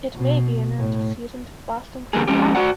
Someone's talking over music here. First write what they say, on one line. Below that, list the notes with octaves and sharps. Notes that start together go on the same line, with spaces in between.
It may be an antecedent of Boston cream pie.
B2
A2
E2 G2 D3 G3 A#3 G#4
F2 B2 G#3 C#4 G4
F#4 D5 F#5